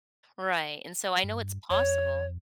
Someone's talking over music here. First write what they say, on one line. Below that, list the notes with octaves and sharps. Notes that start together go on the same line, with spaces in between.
Right, and so I know it's possible.
G2
F2 C#5